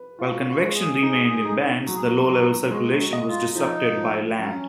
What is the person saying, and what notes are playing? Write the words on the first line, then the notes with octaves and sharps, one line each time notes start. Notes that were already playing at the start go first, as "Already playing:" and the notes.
While convection remained in bands, the low level circulation was disrupted by land.
Already playing: B4
F4 F#4
F#4
G#3
G#4
D#4
D#4
F#3 F#4
G#4
F#4
F#3
G#3 F#4
F#4
D#5
F4
F3 D#4
F3
F#3 C#4